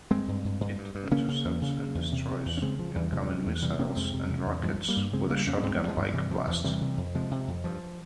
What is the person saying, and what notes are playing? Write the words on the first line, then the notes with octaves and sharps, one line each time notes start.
It intercepts and destroys incoming missiles and rockets with a shotgun-like blast.
G2 G#3 C4
G2
G2
G2
G2
G2
C#3 A#3 C#4
C#3
E2
C#3
C#3
E2
C3
C3
E2
C#4
C#3 G#3 C4
C#3 F3
E2 E3 G3
C3 F3 G#3
C3
E2
C3 E3 G3
C3 A#3 C#4
A#3
F2 G#3 C4
C3
C3
E2
G2 F3 G#3
G2
G3 A#3
G2
C#3 G#3 C4
C#3 G3 A#3
F2 A#3 C#4
C#4
G2 G#3 C4
G2
F3 G#3
G2
C3 E3 G3
C3 F3
E2 F3
C3 E3 G3
C3
F2
C3 F3 G#3
C3
F2
G2 F3